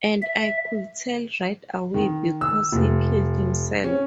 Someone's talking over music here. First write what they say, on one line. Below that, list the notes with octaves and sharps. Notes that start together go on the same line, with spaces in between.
And I could tell right away because he killed himself.
E5
D#3
E6
F1
C#4